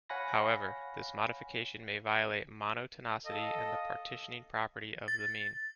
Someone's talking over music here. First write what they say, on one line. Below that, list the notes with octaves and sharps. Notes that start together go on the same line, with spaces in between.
However this modification may violate monotonicity and the partitioning property of the mean.
C#5 F5 F#5 G#5 B5 A#6
A4 D#5 F5
A6